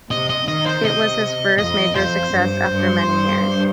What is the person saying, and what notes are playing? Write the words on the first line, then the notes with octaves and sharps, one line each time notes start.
It was his first major success after many years.
C3 D#5
D#5
D#3 D#5
C5
C3 D#5
F2 D#5
F2 C5
G2
G2
G2